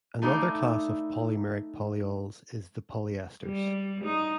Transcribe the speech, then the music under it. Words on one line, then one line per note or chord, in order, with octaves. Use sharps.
Another class of polymeric polyols is the polyesters.
A3 D#4 E4 D5 F5
G3
D#4